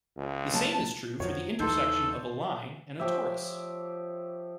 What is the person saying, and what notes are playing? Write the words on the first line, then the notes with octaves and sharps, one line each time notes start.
The same is true for the intersection of a line and a torus.
C#2
F#3 A#3 A5
F2 F3 F#3 C#5
D#2 D#3 E3 D#4 A4 A5 C6 G6
F3 G4 C#5 E5